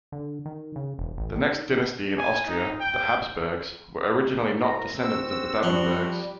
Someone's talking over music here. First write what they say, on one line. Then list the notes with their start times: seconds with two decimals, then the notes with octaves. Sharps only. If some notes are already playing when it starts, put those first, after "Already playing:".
The next dynasty in Austria-the Habsburgs-were originally not descendants of the Babenbergs.
0.12 D3
0.46 D#3
0.76 C#3
0.99 E1
1.18 A1
1.36 D#3
2.18 G#5
2.47 D#4
2.81 G5
4.61 C2 A#5
4.98 C4 F#4 E6
5.63 F3 G3